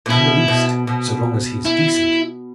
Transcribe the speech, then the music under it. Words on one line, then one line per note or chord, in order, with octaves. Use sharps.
"Not in the least, so long as he is decent."
A#2
B2 E4
B2
B2
E4